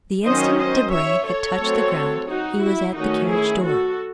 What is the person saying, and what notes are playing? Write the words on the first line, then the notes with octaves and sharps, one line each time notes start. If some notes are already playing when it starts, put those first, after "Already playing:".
The instant Debray had touched the ground, he was at the carriage-door.
D#3 F#3 C#4 C5 D#5
C5 D#5
C#5 E5
A4 C#5
F#3 A3 C4
D#4 F#4
E4
D#3 A3 C#4 D#4 F#4
E4 G#4
F#4 A4